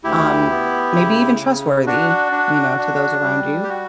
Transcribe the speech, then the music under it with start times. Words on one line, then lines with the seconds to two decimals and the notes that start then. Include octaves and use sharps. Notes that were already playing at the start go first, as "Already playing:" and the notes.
Um, maybe even trustworthy, you know, to those around you.
0.04 D2 E4 G4
0.50 B3
0.96 C#3
1.41 C#3
1.86 D4 F#4
2.32 D4
2.78 D4
3.23 G3
3.63 G4
3.69 F#4